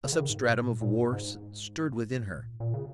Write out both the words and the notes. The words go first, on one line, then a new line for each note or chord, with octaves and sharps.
A substratum of war stirred within her.
C#3
D#3
C#3
G#2
B2
A#2
A#2
G#2
G#2
A#2
A#2
C#3